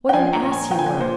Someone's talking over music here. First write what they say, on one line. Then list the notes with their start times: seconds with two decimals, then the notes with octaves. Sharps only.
"What an ass you were."
0.09 G5
0.13 F3 G#5
0.33 A#5
0.42 A#2
0.52 G#5
0.71 F3 G5
0.79 G#5
0.86 G5
1.00 A#2 C5